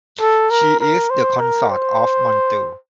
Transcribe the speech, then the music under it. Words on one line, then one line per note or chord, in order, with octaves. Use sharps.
She is the consort of Montu.
A4
A#4
A#4
C5
A#4
C5